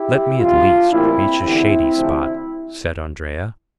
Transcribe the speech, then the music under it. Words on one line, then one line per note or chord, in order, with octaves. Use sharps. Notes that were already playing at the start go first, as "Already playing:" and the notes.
"Let me at least reach a shady spot," said Andrea.
Already playing: E4 G4
F2 C3 G3 D4 F4
A2 E3 G3 A#3 C4 E4
E2 D3 G3 C4 E4
D2 C3 F3